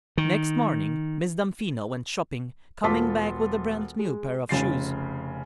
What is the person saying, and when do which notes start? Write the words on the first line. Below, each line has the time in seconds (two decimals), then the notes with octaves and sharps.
Next morning Miss Damfino went shopping, coming back with a brand new pair of shoes.
0.18 D#3
2.84 E1 F4 A4 A5 D6 B6
3.99 G#3
4.49 F1 C#3 A6 C7